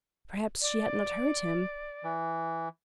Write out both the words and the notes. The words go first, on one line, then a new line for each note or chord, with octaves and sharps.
Perhaps she had not heard him.
D5
E3